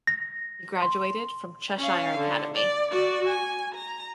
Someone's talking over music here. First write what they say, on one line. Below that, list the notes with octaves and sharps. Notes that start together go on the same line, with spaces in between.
He graduated from Cheshire Academy.
A#6
C6
C#4 F5
D3
D5
F#4 D5
G#5
A#5